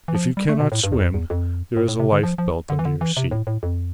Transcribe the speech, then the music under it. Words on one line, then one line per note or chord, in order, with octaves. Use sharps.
"If you cannot swim there is a life belt under your seat."
E3
F3
G3
A3
B2
A2
G2
E2
F2
E2
F2
A2
A2
C3
D3
F3
F3
D3
E3
D3
E3
C3
A2
A2
F2